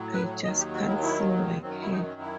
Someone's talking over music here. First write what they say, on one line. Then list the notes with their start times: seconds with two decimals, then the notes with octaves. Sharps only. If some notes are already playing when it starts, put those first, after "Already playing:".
I just can't sing it like her.
Already playing: A2 F#3
0.14 B4
0.44 D#2 D#3 F#3 D#5
0.58 G4
0.74 F#4
0.88 E4
1.03 E4
1.61 F#2 D#3 F#3 C4
1.82 E4
1.91 D#4
2.21 E4